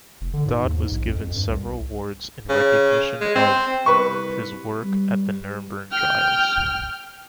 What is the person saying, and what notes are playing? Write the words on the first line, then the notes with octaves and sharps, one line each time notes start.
Dodd was given several awards in recognition of his work at the Nuremberg trials.
F1
D3
G#2
D#2
G#2
A#1
F2
F2
G2
C2
C#3
G#3
C4
C2 B4 C#6
G3
G5 F6